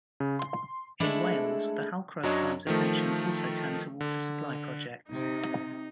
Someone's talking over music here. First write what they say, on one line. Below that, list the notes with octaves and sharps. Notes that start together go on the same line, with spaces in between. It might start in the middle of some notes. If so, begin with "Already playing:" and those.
In Wales, the Halcrow firm's attention also turned to water supply projects.
C#3
C6
G#3 A3 D4 E4 A4
F#2 F#3 D4 C#5 D#5 A5
D#3 F3 A3
D3
C3 D#4